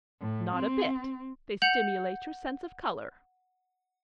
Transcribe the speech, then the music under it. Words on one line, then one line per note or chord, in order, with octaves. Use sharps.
"Not a bit: they stimulate your sense of colour."
A2
C4
F#5 G6 C#7 F7 F#7